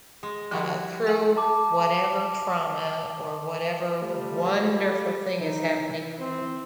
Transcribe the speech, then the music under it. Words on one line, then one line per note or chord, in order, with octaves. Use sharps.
uh, through whatever trauma or whatever wonderful thing is happening.
G#3
F3 G3 E4 F#4
G4 F#5 G#5
A5 D6
G3 A3 F4
E3 D#4
C4